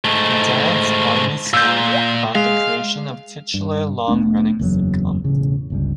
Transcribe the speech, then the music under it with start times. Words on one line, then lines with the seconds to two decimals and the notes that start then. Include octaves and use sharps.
The Dad's Army Story, about the creation of the titular long-running sitcom.
0.05 G#2 A3
1.54 A#2 E6 G6
2.35 G#3 F5
3.54 G2
4.08 F1 A3 B3 D4
4.59 F#1 E2 B2 F#3
5.24 E1 A1 C#3
5.70 G1 C#2 G3